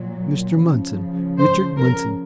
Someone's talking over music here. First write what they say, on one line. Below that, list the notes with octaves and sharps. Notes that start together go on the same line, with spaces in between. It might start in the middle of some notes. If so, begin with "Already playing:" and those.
"Mr. Munson, Richard Munson."
Already playing: A#2 F#3
C#3 F3
C5
A#4